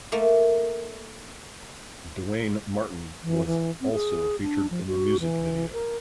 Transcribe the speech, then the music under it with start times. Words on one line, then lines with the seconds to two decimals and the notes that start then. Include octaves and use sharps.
Duane Martin was also featured in the music video.
0.12 A3 A#3
3.22 E3
3.46 E3
3.81 C4
3.93 G#4
4.42 D4
4.70 F3
4.87 F#4
5.20 E3
5.72 A#4